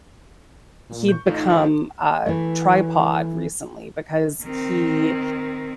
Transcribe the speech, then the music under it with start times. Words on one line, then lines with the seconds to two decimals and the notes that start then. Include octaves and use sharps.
he'd become a tripod recently because he
0.90 A#2
1.09 C#6 G6
1.26 A1 A3 D#4 F4
1.47 G#2 D3 F3
2.26 E3 A3
4.43 D#3 C4